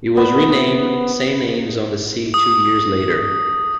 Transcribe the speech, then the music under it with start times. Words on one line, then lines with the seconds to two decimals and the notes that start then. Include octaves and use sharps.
It was renamed Saint Annes-on-the-Sea two years later.
0.17 B3
2.34 D#6